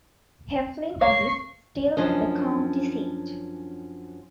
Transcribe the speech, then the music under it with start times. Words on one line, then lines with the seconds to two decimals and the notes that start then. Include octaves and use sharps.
Heflin is still the county seat.
1.01 A#3 C#5 F5 C#6 C7
1.97 F#2 F3 C#4 D4 D#5